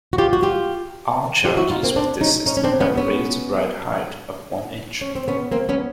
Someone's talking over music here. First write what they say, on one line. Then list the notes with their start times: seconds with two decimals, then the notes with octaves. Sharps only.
All Cherokees with this system have a raised ride height of one inch.
0.13 F#4
0.18 F4 G4
0.33 F#4
0.42 F4 G4
1.44 F4 G4
1.57 E4 F#4
1.70 D#4 F4
1.83 A#3 C4
1.96 C4 D4
2.21 C#4 D#4
2.46 C#4 D#4
2.57 C#4
2.64 C4 D4
2.80 B3 C#4
2.97 B3 C#4
5.01 C#4
5.15 C4
5.28 B3 C#4
5.52 A#3 C4
5.69 B3 C#4